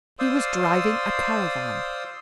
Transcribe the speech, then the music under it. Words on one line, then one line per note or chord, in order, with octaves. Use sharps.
He was driving a caravan.
C5 D5 F5 C6 D#6 E6